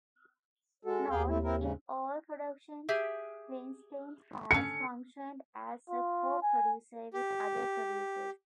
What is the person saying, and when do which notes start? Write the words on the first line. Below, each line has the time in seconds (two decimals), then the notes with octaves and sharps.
Note: In all productions Weinstein has functioned as a co-producer with other producers.
0.85 G#3 F#4 A4
1.10 D#2 G#4 F5 G5
1.28 A3 C4 E4
1.44 C4 E4 A#4
1.58 G#2 C#3
2.89 G4 G#4 E5
4.51 D3 C#4 C#7
5.90 F4
6.43 G#5
7.13 G4